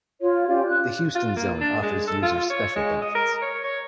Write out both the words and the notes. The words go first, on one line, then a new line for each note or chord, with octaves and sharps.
The Houston Zone offers users special benefits.
F4 C#5
C#4 F4 G4 D5
F#6
F4
A#3
D4
G#3
A4
F4
C#5
G#3
D#5
A#4
C#5
C#5